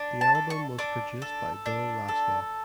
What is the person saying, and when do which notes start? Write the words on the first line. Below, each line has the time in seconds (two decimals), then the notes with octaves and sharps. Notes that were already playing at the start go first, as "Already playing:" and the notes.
The album was produced by Bill Laswell.
Already playing: D4
0.21 A5
0.35 A4
0.50 C#6
0.79 D4 D6
1.22 A4
1.66 D4
2.08 A4